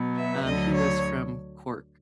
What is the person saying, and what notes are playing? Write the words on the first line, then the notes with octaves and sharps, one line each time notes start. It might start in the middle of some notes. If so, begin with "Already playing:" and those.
um, he was from Cork.
Already playing: B2 F#3 B3
E5
D2 D3 F#3 D#5
C#5